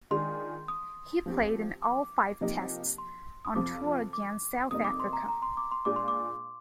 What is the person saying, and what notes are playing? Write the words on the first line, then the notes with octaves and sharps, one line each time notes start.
He played in all five Tests on tour against South Africa.
D#3 G#3 D4 F4 G#4 C6
D#6
F3 C4 G4
D6
C3 F3 A#3 D#4 G4
C6
D#6
F2 C3 F3 C4 F4 D6
D6
F2 C3 G3 A#3 D#4 D#6
D6
C6
A#5
A#5
C6
D6
C6
A#2 G#3 D4 F4 G#4 D6
C6
D6